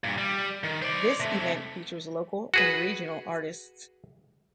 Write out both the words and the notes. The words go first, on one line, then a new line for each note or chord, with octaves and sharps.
This event features local and regional artists.
G2 A#2
G3
D#3
C5 D5
C3 A3
F#4 G#4 B4